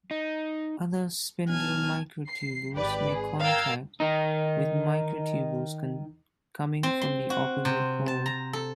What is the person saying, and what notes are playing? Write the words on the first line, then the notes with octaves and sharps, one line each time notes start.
Other spindle microtubules make contact with microtubules coming from the opposite pole.
D#4
B1 G#5 A5 F6
C7
G#1 G4 B4 D5
G#4
A#4 F5 G5 E6 G#6 A6
D#3 D#4
C4
C6
F#4
C3
A5
A#5
A4